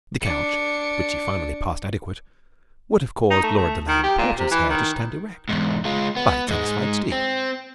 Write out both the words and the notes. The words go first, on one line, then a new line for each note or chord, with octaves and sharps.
The couch which he finally passed adequate would have caused Lora Delane Porter's hair to stand erect, but it satisfied Steve.
D4 C#7
D#4
A3
A3
D#3
G4
A#2
C3
E3
D#3
E2 G#2
G#3 F4
B3
G#2 G#3
C4